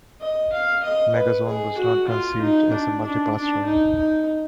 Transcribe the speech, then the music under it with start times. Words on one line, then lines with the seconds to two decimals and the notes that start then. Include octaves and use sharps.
"Megazone" was not conceived as a multi-part story.
0.21 D#5
0.53 F5
0.83 D#5
1.15 B4
1.47 G#4
1.77 F#4
2.08 F4
2.41 D#4
2.72 D4
3.03 D4
3.35 D4
3.65 D#4
3.97 D#4